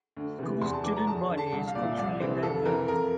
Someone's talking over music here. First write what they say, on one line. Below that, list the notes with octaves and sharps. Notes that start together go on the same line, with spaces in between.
The school's student body is culturally diverse.
D2
C3 E3
E2 C6
A5
E3 D6
A#5
E2 A5
D3
A5
C2
F5
A#2 D5
E5
C2 D5
C3 E3 C5
F2 A4
E3 A#4
F2 A#4